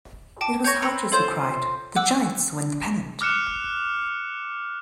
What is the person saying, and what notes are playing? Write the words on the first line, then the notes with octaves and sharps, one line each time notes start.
It was Hodges who cried, The Giants win the pennant!
G5 A5 D6
C#5 C#6 G6 G#6 A#6
C4 B4 A#5 C#7
F4 A4 C5 C#5 G6
F#5 D6 E6
D6 F6 F#6 C#7 E7